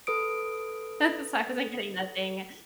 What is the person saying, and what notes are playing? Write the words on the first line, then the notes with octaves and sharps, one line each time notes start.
so I wasn't getting nothing.
A4 B4 D#6 D7